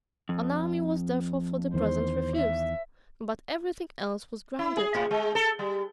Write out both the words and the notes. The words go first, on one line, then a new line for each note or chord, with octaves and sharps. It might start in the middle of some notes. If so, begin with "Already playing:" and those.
An army was therefore for the present refused; but every thing else was granted.
F2
E2 D#3 C5
E5
E4
G#4
A2
G#3
A4
G3